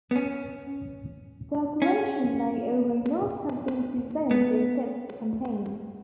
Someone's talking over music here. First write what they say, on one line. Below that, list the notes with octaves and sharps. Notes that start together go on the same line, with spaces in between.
Diocletian may or may not have been present to assist the campaign.
B3
C#4
C#4
B3